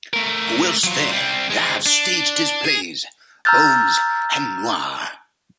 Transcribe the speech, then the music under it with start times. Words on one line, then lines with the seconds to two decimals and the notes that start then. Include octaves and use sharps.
Whilst there, Live staged his plays, "Bones" and "Noir".
0.13 A3 A#4
0.84 F#3 F4
1.11 G3 C4
1.50 G#3 C4
1.86 D4
2.65 G#4
3.45 A#5 E6 F6 G6 A6